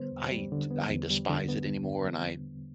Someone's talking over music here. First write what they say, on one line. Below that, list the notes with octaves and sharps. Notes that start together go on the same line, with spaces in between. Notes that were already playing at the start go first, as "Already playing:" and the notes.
I t I despise it anymore, and I
Already playing: D3 G3 B3 C5
E2
G3
D3
B3
E2
G3
D3
B3